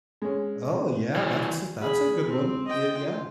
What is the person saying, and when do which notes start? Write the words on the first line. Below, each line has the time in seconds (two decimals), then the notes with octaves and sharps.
Oh yeah, that's a that's a good one, eh Yeah,
0.22 G#3 C#4
1.16 E3 G3
1.81 G#4 B5
2.28 C4
2.67 D#5 G5
2.98 F4